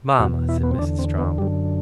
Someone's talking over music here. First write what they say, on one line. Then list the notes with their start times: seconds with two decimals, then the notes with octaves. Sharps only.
'Mama!' said Mrs. Strong.
0.19 E2 B2 F#4
0.49 E4
0.63 B3
0.71 C4
0.78 E2 D4
0.82 D3
0.99 C4
1.18 B3
1.38 F#2 D3 G3